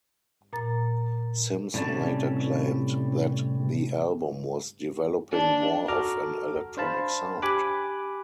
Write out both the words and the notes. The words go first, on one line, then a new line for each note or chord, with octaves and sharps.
Simpson later claimed that the album was developing more of an electronic sound.
A#2 A#5 A6
A2 C3 G3 C#4 D5 A5
D4
F#4 A4 A#5 D6 F6
D4 C5 F5 A5 B5
G4 G#5 B5 D6 F#6